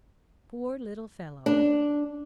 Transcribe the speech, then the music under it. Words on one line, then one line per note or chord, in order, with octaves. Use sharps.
Poor little fellow!
D4